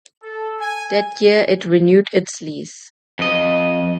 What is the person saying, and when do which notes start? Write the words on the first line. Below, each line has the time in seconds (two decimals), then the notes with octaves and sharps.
That year it renewed its lease.
0.22 A4
0.60 G#5
3.19 F2 D#5